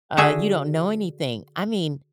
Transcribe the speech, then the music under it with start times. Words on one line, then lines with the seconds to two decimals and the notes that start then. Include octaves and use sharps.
uh, you don't know anything. I mean,
0.17 D3 F#4 G#4 E5